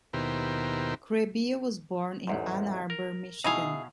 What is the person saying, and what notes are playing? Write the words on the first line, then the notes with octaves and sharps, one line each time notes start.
Krehbiel was born in Ann Arbor, Michigan.
D#2 B2 E4 G4 A#4 C5
A1 E2 G#2
A#4
B2 D#4 E4 G#4 F5